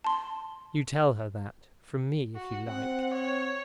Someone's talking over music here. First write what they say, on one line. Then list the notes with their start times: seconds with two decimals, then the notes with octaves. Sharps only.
You tell her that--from me, if you like.
0.04 A5 C6
2.36 F#4
2.68 C4 F#5
3.13 C#5